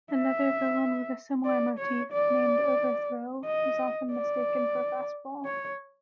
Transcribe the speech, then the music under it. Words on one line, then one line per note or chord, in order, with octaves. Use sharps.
Another villain with a similar motif, named Overthrow, was often mistaken for Fastball.
E5
D5
C#5
D5
D#5
D5
C#5